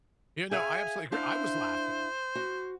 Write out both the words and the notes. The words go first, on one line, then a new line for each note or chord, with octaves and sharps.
You know, I absolutely agree I was laughing.
G#4 E5 F5 G#5
D4 E4 C5 F5
F#4